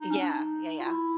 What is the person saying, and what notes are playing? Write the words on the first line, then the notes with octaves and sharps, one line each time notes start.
Yeah, yeah, yeah.
D#4
C#4
D4
D#4
F4
E4